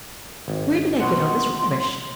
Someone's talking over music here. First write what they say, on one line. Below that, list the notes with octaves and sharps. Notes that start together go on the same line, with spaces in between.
Where did I get all this rubbish?
G#1
B2 F#5 C6